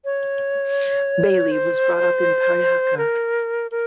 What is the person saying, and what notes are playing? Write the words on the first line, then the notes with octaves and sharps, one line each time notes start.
Bailey was brought up in Parihaka.
C#5
C5
A#4
A#4